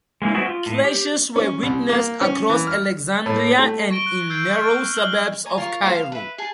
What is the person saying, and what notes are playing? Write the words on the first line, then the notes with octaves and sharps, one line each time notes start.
Clashes were witnessed across Alexandria and in narrow suburbs of Cairo.
G#3 A#3 C#4 E4
G3 B3 C4 E4 F#4 G#4
F4
A2
G4
C#4
C2
A#3
C#4
E3
F6
A2
A3
C#6 A#6 D7 G7
F#6
E6 G6 G#6 C7 D7
F6 D7
F6 F#6 F#7 G7
G#5 A#5
F4 A#4 C#6
F4 A4 A#4 C5
F5
B4 E5
G#4 G#5 A5